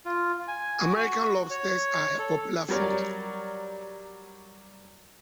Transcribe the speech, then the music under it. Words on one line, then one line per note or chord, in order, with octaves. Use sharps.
American lobsters are a popular food.
F4
G#5
F#4
F#4
C#5
A4
F#3 G3 A#4 C#5 D5